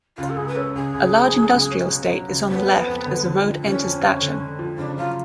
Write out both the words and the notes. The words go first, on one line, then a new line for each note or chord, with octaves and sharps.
A large industrial estate is on the left as the road enters Thatcham.
C#2 F4
A4
C#2 G#4
B4
C#4 A4
C#2 G#4
C#2
F#3
F#3
C#2
C#4
B2
F#3
C#2
F2 B3
F2
F2
D3
D3
F3
D3 C#4
F2
F2
D3
D3
F3
C#3 D4
F#3 F4